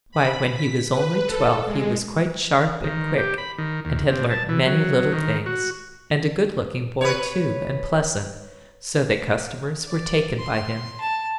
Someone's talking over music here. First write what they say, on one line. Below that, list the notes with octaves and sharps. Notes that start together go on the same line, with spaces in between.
Why, when he was only twelve he was quite sharp and quick, and had learnt many little things, and a good-looking boy too, and pleasant, so that customers were taken by him.
B5
B6
B4
A4
G#3
D#3
G4
B5
D#3
D#2
C3
A5
E3
F#3
D#3
F#4
B4 C#5
D5
C6
A5